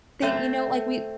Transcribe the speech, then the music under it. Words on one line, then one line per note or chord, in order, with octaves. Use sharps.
they you know, like, we
F#2 A3 C4